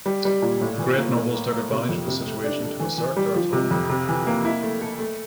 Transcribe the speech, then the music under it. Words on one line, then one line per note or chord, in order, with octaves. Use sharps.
The great nobles took advantage of the situation to assert their autonomy.
G3
G3
A#2
A2
E3
A#3
A2
A#3
A#3
C3
F2
C3
A3
D4
A4
E3
E3
G3
F3
C3
F2
C3
E3
A#3
E4
A3
A4
A3